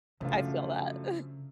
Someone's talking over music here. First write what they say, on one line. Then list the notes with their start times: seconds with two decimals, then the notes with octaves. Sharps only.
I feel that.
0.21 F#2 C#3 F3 A3 D4 F4